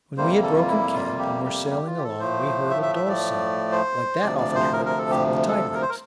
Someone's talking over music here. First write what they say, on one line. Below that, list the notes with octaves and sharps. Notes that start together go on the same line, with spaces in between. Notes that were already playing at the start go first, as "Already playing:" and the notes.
When we had broken camp and were sailing along, we heard a dull sound like that often heard from the tide rips.
F2 C3 G3 A#3 C5
A4
F4
E4
F4
G4
G4
G4
F4
G4
A4
A2 F3 A3 C5
E5
E5
E5
D5
C5
D2 C3 F3 D5
D5
C5
A#4
A#4
A4
G4
A4
A#4
C5
A#4